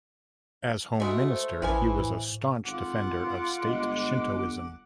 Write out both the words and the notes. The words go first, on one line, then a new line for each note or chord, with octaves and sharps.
As Home Minister, he was a staunch defender of State Shintoism.
G#3 A3 F#4
C5
A1 E3 F3 F5 G#5
A2
G#1 F4 F#5 D6
G1 G#3